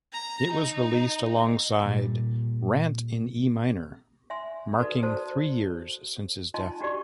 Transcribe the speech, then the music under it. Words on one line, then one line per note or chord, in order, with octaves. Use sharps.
It was released alongside "Rant in E-Minor", marking three years since his death.
A#5
D#4
A#2 G3
E5 G#5 C6
D#4 F#4 A4 B4 D5
F#4 A4 C5 A5
D#4 F4 D#5 G#5 A5 C6
D4 F#4 G4 D5 C#6